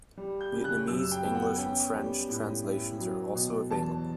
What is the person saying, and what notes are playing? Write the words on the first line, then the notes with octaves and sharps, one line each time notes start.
Vietnamese, English, and French translations are also available.
G3
G6
C#3
F#6
F#2 E6
G5
B3 G5
F#5
C#4 G5
G3
A2
E4
F#3
B2
E2 A5